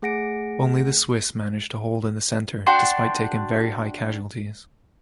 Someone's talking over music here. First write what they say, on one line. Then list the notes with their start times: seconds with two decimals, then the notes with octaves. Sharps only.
Only the Swiss managed to hold in the centre despite taking very high casualties.
0.02 A3 G#4 F#5 A#6 C#7 D7
2.66 D4 F#4 G5 C6